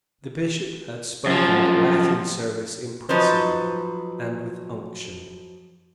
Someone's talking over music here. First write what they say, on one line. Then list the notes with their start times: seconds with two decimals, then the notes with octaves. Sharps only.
The Bishop had spoken the Latin service impressively and with unction.
1.26 F#2 F3
3.09 F3 F#3 D#4 B4 C5